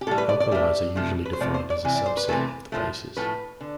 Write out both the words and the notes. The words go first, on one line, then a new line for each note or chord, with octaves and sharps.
Alkalis are usually defined as a subset of the bases.
G4
A2 G3 A4
B4
D5
D5
A2 G3 E5
C3 F3 A3
B4
C5
C3 F3 A3 D5
C5
D5
C3 E3
D5
C5
B4
C3 E3 A3
A2 F3 A3
A2 F3 A3 B4
D3